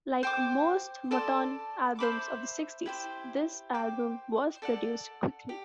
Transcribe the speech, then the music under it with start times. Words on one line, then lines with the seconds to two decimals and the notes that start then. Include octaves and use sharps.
Like most Motown albums of the sixties, this album was produced quickly.
0.23 C5 G5 D6
1.11 A4 D5 A5 C6
1.99 C5 E5 B5 D6
2.86 E4 G4 C5
3.74 C5 G5 D6
4.62 A4 D5 F#5
5.49 G4